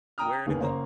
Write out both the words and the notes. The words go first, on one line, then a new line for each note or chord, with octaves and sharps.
where to go,
G5 A#5 D#6 F6
F#1 D#2 A#3 G#4 B4
F#1 A#3 C5 C#5 A#5